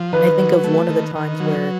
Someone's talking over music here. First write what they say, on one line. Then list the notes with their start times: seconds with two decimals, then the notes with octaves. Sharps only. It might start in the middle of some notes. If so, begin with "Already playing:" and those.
I think of one of the times where
Already playing: F3
0.13 D#3 B4
0.39 F#3
0.64 A3
0.89 D#3
1.15 D#3
1.40 F#3